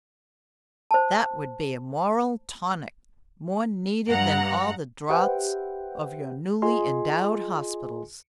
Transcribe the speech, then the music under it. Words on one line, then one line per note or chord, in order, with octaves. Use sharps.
That would be a moral tonic more needed than all the draughts of your newly endowed hospitals.
C5 A5
G2 F#5 A#5
G4 B4 C5 E5 F#5 G5
F4 G#4 D#5 G#5 C6